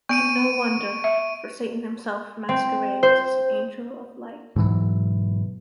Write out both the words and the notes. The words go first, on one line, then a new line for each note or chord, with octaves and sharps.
And no wonder, for Satan himself masquerades as an angel of light.
B3 C#6 D7 D#7
E5
C4
C5
G#2 B2 E3 F#3